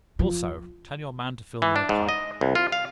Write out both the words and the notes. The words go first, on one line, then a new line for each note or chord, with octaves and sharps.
Also, tell your man to fill me a pipe.
F3
E3
D4
G#2
D#5
C2
F4
F5